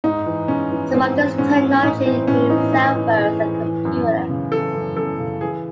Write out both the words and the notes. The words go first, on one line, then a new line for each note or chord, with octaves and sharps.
Some of this technology includes cell phones and computers.
G#2 D#4
E3
G#2 C#4
E3
G#2 C4
E3
G#2 C#4
E3
C#4
A2 D#4
E3 C4
A2 C#4
E3 D#4
A2 D#4
E3
A2 G#4
E3
E3
F#2
F#2
C#3
E3 A4
F#2
F#2 A4
C#3
E3 G#4